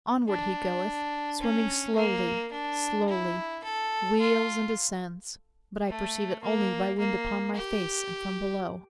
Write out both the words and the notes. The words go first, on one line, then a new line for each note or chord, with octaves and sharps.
Onward he goeth, swimming slowly, slowly; Wheels and descends, but I perceive it only By wind upon my face and from below.
D4
C#4
A#3
D4
E4
A4
F4
A3
A#3
A#3
G4